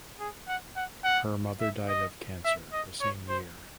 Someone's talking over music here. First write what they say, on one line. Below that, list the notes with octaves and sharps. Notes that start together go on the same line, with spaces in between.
Her mother died of cancer the same year.
G#4
F#5
F#5
F#5
E5
D#5
E5
D#5
C#5
C5